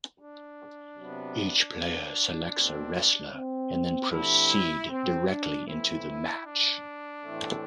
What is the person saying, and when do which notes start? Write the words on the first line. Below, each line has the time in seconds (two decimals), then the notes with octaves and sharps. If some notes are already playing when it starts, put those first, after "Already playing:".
Each player selects a wrestler and then proceed directly into the match.
0.21 D4
0.99 C3 F#3 B3
2.55 B2 A3 C4
3.33 C4
4.10 D3 G3 C4 E4
4.90 C4
5.28 D4
5.67 E3 A3 C4 E4
6.45 D4
7.24 A2 E3 A3 C4